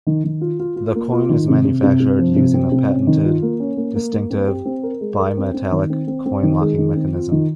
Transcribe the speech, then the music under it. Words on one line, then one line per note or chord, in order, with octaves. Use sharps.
The coin is manufactured using a patented distinctive bimetallic coin-locking mechanism.
D#3
D#3
F4
F4
F4
A#3
F4
D#3
C3
C3
C3
C3
F3
C3
C4
C3
C#4
D#3
F4
A#3
C#4
A#3
A#3
A#3
C4
G4
C4
A#4
G#3
A#4
C4
C4
D#3
C4
C4
C4
D#3
G#3
D#3
C4
F4
D#3